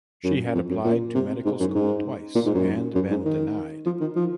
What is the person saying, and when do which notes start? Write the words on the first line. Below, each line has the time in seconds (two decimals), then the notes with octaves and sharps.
She had applied to medical school twice and been denied.
0.24 F#2
0.54 F2
0.70 F#2
0.85 A#2
1.15 C3
1.45 G#2
1.60 F#2
1.74 G#2
2.35 A#2
2.45 G#2
2.55 F#2
2.95 F#2
3.10 G#2
3.25 D#3
3.86 F3
4.01 D#3
4.16 F3